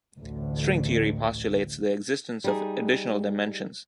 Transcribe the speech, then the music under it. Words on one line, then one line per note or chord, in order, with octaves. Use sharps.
String theory postulates the existence of additional dimensions.
A1 D2
G3 D#4 G#4